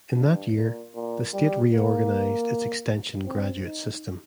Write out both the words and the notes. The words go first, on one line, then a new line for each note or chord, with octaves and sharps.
In that year, the state reorganized its extension graduate system.
G2
A#2
A#2
G3
A#3
C4
D#4